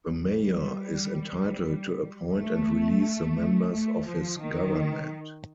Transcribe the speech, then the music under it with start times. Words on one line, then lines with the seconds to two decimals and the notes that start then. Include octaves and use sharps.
The Mayor is entitled to appoint and release the members of his government.
0.22 G3
2.31 A3
3.72 A3
4.07 F3
4.41 D#3